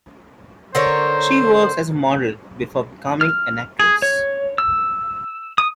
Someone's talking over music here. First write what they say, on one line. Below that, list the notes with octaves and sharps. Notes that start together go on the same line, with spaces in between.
She worked as a model before becoming an actress.
D3 A#4 C5 C#5
F6
G#4
C#5
E6
D#6